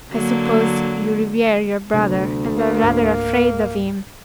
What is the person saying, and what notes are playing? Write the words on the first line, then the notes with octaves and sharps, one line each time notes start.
"I suppose you revere your brother and are rather afraid of him."
D3 F#3 A#3
D2 C3 F#3 B3
A#3
C#2 G#2